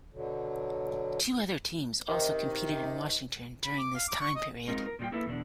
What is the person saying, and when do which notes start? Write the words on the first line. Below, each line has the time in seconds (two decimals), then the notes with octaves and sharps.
Two other teams also competed in Washington during this time period.
0.13 B2 D3 F#3
2.08 C3 D#3
3.64 B5
3.78 D6
3.95 F5
4.08 D6
4.20 C#6
4.36 D#5
4.68 G#3 C4 D#4 F4 A#4
4.86 A#4
4.99 A#2 D#3 G3 D#4 F4 G5
5.12 A#3 E4 A4 B4 E5
5.26 E2 B2 D3 D4